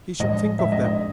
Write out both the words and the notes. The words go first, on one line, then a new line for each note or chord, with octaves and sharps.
He should think of them.
A2 F3 G#3 D#5
A2 F3 G#3 E5
D#5
D#5